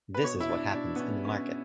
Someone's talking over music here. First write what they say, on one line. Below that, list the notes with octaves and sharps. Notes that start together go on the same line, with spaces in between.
This is what happens in the market.
B4
B2 C#5
E4
D4
B2 D4
B3
C#4
B2 C#4